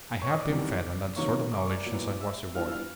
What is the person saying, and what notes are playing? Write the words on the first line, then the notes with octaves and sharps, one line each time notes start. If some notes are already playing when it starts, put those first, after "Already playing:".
I have been fed on that sort of knowledge since I was a boy.
C#5 C#6
D#5 D#6
D5 D6
E2 C3 D#3 G3
C3 D#3 F#3 A#3 C#4 C#5 C#6
D6
C#6
D5 D6
A#2 F#3 B3 E4
E5 E6
E3 G3 B3 D4 F4 F5 F6
E6
F5 F6